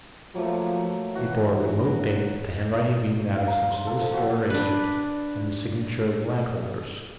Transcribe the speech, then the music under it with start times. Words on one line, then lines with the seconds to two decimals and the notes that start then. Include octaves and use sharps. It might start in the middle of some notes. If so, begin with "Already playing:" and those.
It bore a remote date, the handwriting being that of some solicitor or agent, and the signature the landholder's.
0.35 F3 F#3 A3 A#3
1.15 E3 F#4
3.35 F5
3.48 A#5
3.70 C6
3.87 A4
3.99 F3
4.13 F#4
4.50 D4 B4